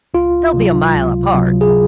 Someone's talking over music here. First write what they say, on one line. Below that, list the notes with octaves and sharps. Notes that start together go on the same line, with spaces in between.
They'll be a mile apart.
C#2 F4
C3 F#3
C#2
C3 F#3
G#4